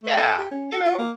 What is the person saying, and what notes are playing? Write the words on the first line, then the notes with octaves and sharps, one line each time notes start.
Yeah, you know?
A3
A4
G4
C#4
A4
F4
A#3